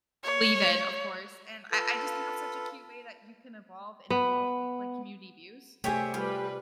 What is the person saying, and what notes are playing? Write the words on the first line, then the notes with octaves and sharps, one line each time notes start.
believe in, of course, and I I just think that's such a cute way that you can evolve and evolve, like, community views.
C#5
F4 A4 B4
B3
C3 A3 G4 G#4 C#5 E5 G#5
G3 F4 G4 B4